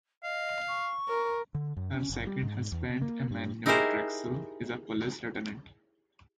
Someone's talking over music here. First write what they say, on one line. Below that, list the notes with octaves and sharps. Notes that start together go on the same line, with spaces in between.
Her second husband, Emmanuel Traxel, is a police lieutenant.
D#5 F5
C#6
A#4
D3
F#2
C#4
F#1
G3
G#2
E2
C3
A#3
G2
D#4 E4 G4 G#4 A#4 C5